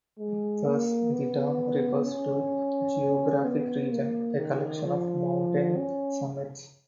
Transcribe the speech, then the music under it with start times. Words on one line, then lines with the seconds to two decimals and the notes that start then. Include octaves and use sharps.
Thus the term refers to a geographic region; a collection of mountain summits.
0.19 G#3
0.66 A#3
1.12 B3
2.05 C#4
3.45 B3
3.91 A#3
4.38 D#3
4.84 F3
5.77 C#4